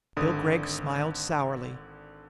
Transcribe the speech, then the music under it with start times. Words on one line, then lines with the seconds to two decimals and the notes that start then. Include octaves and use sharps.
Bill Gregg smiled sourly.
0.17 G#1 D3 D#6